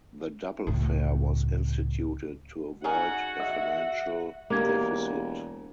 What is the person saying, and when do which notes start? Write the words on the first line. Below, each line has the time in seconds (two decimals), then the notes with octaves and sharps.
The double-fare was instituted to avoid a financial deficit.
0.67 C#2 A2
2.84 C#4 D#4 F#4 G#4 F#5
3.39 E5
4.50 E1 A#3 G4 F5 G#6